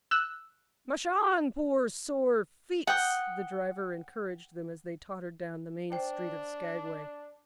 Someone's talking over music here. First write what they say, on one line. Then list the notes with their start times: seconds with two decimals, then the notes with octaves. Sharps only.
"Mush on, poor sore feets," the driver encouraged them as they tottered down the main street of Skaguay.
0.11 E6 F#6
2.87 F#5 G5 D#6
5.92 D4 C5 G5